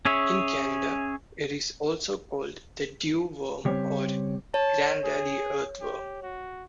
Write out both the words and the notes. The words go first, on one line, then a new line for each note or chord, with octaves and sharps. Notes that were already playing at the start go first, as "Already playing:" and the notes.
In Canada, it is also called the dew worm, or "Grandaddy Earthworm".
C#4 G#4 C#5 E5
C#3 G3 C4 G4 C5 C#5
C#5 A5
G#4
G4
F#4